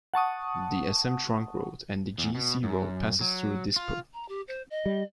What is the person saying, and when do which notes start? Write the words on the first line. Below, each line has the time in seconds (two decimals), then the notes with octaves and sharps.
The Assam Trunk road and the G S road passes through Dispur.
0.14 F#5 A5 C#6 D#6
2.18 E2
2.35 B2
2.63 F#2
3.21 F#3
3.76 F4
4.14 A#5
4.29 G4
4.48 C5
4.70 D#5
4.86 G3